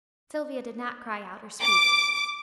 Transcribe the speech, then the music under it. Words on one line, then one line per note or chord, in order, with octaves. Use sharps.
Sylvia did not cry out or speak.
D6